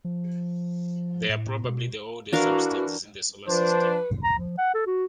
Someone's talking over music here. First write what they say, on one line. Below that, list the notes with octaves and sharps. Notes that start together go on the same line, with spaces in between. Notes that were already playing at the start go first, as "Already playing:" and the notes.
They are probably the oldest substances in the Solar System.
F3
A2
B2
E3 D4 F#4 A#4 F5
F3 D4 B4 C5
A#5
F3
F#5
A4
F#4